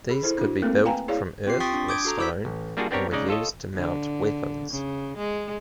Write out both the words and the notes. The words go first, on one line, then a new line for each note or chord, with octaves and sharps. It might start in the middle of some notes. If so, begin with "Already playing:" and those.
These could be built from earth or stone and were used to mount weapons.
G#4 B5
E4 A4 C5
D4 E4 F#4
A3 A#3 C4 A4 A#4
B4 F5 G5 G#5 A#5
E4 G#4 C#5 D5 F5
C4 F4 G4 C7
G5 C6 C#6 D#6 A6 B6
D4
D6 D#6 G6 G#6 D7
F#4 A4 A#5
E4 C5 D6 E6 G6 B6
A1
G3 A#3 D4 F4 F#4 G#4
B3 C4 D4 G4 A#4 C#5
C#3 G#3 D#4 D5
F4 A4 C#5 D#5
D3
C#3
G#3